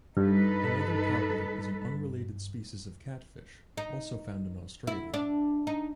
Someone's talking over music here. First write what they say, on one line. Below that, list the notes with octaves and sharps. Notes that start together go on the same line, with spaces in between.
Another cobbler is an unrelated species of catfish, also found in Australia.
G2 D#4 A4 B4
D#4
E4
D4
D#4